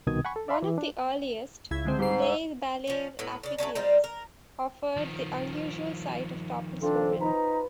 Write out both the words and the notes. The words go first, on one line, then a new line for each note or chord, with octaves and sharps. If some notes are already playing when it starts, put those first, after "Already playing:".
One of the earliest, Les Ballets Africains, offered the unusual sight of topless women.
C2 B2 D#3 D#6 G#6
F#5 G#5 B5 C#6
A4
D5 E5 F5 B5 C6
E3
D4
C#2 E4 G#6
D3 G#3 C4
G#2 G3 C7
E5
F3 C#4
A2 F#3 B3
C#3 D4
F#3 A3 C#4 A5
G3 C4 D#4 F4
A#4
D#3 F3
C4 D4 F4 A4 D5
D#4 B4 C#5 A#5